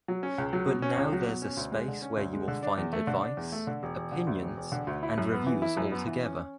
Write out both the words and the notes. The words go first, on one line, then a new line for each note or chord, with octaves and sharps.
But now there’s a space where you will find advice, opinions, and reviews all together.
F#3
C#4
C#2
F#3
B2
C#4
C#2
F#3
B2
C#4
D2
G#3
D3
C#4
D2
G#3
D3
D4
E2
A3
D3
D4
E2
A3
D3
E1
E1
D3
D2
E1
E1
D3
D2
E4
F#2
B3
E3
E4
F#2
B3
E3
C#4